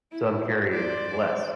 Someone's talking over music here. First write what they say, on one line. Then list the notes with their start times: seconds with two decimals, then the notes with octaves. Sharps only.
so I'm carrying less,
0.12 E4
0.72 C5 D5